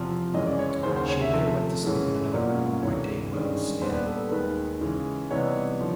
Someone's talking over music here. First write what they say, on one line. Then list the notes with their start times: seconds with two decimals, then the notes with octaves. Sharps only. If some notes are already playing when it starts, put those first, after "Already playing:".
She later went to sleep in another room while Deuel stayed up.
Already playing: E2 C3 F3
0.34 F#2 C#3 E3 G#3 D#5
0.46 D5
0.59 C#5
0.71 C#5
0.83 D#2 C#3 F#3 C5
0.96 C5
1.08 C#5
1.21 E5
1.33 C3 F3 A3
1.83 F#2 C#3 E3 G#3
2.33 B2 F#3 A#3 C#4 F4 D5
2.82 D2 C3 E3 C#5
3.32 G2 D#3 G#3 C#4
3.82 A#2 G3 B3 D4 C5
3.94 B4
4.06 A4
4.18 A4
4.31 D#2 D#3 G#3 B4
4.81 C#3 E3 G#3
5.31 C3 E3 G3 B3 D#4 C#5
5.80 D3 F3